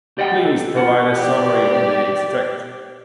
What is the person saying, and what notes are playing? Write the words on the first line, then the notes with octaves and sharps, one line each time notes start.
Please provide a summary of the extract.
G4 D5 D#5 F#5 G5
A4
F4 F#5
G4 D5